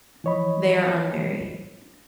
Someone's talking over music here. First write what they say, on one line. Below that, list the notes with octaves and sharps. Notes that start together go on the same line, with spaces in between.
They are unmarried.
E3 F3 C#5 D#5 B5